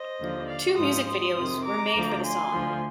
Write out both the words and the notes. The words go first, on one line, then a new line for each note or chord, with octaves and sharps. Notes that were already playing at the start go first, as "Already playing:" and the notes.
Two music videos were made for the song.
Already playing: C5 D#5
D#2 D3 F3
D5 F5
G#2 F3 C6 D#6
C6 D#6
F2 C3 D#3
A#5 D6
D2 D3 F3
G#5 C6
D2 D3 F3